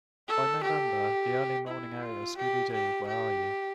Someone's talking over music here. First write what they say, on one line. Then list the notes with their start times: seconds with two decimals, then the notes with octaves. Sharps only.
By November, the early-morning airing of Scooby-Doo, Where Are You!
0.28 A4
0.64 G4
1.68 E4
2.02 F4
2.37 G4
2.73 G4
3.07 G4